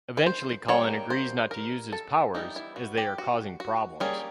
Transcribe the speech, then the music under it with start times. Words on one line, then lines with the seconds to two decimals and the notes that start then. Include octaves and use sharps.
Eventually Colin agrees not to use his powers, as they are causing problems.
0.17 B4
0.26 C5
0.68 D#3 G3 A#3 C#5
1.10 C5
1.51 A#4
1.93 A4
2.34 E3 G3 B3 D#4
2.56 E4
2.76 F#4
2.97 G4
3.18 F#4
3.60 F#4
4.00 G3 A#3 C#4 G#4